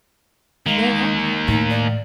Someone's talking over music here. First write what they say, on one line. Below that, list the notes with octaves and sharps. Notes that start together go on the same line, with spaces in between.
"Where am I?"
D#3 G#3 A#3
A2 D#4
D5